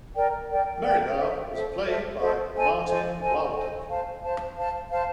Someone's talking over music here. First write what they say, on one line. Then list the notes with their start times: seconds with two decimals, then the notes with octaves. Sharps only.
Merrivale was played by Martin Wyldeck.
0.15 A#4 D5 G5
0.50 A#4 D5 G5
0.83 A#4 D5 G5
1.17 A4 C5 E5
1.51 A4 C5 E5
1.85 A4 C5 E5
2.19 A4 C5 E5
2.53 A4 C5 D#5 G#5
2.87 A4 C5 D#5 G#5
3.20 A4 C5 D#5 G#5
3.54 A4 C5 D#5 G#5
3.89 C5 F5 A5
4.23 C5 F5 A5
4.56 C5 F5 A5
4.91 C5 F5 A5